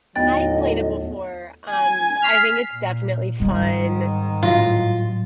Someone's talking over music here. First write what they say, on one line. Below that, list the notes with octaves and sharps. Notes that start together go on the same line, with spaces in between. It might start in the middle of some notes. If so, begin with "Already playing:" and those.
I've played it before, um, I think it's definitely fun.
D#2 A2 D3 F#3 B3 D#5 A6
G#5
F6 B6 C7
A#2
G#2 D#3 G3 C4
A2 F#3 F4 A#6